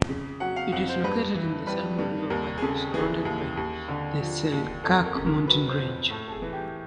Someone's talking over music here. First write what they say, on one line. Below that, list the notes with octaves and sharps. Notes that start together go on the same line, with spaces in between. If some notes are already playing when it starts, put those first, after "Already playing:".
It is located in the Salmo River Valley, surrounded by the Selkirk Mountain range.
Already playing: F2
C#3
F#3 F#5
F5
F2 F#5
C5
G2 B4
E3
G3 B4
G2
D#2 A#4
G#4
C#3 A4
E3 G#4
D#2
D#2
D3
F3
D#2
F2 A4
A#4
C#3
A#4
F#3 B4
C5
F2
A2 A4
A4
G#4
E3
G4